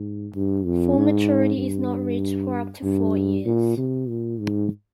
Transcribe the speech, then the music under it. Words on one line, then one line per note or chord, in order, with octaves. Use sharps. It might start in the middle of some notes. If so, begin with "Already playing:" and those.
Full maturity is not reached for up to four years.
Already playing: G#2
G2
F2
G#2
G2
G2
A#2
C3
A#2
G#2